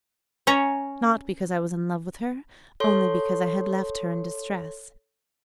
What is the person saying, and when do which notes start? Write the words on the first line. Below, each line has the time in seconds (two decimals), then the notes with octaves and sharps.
Not because I was in love with her; only because I had left her in distress.
0.47 C#4 C#5 A#5
2.80 A4 C#5 C6